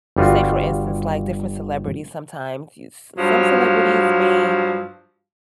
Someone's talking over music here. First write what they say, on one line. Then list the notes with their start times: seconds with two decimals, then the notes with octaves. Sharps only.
say, for instance, like, different celebrities sometimes, you s some celebrities may
0.16 G1 G3 F4 F#4
3.18 G2 F3 F#3